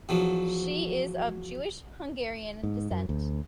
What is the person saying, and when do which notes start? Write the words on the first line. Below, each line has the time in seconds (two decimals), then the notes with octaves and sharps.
She is of Jewish Hungarian descent.
0.09 E2 F3 F#3
2.63 G#2
2.91 F#2
3.09 D2